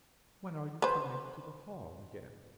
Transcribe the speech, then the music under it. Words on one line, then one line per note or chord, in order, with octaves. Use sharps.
'When are you coming to the hall again?'
B4 C5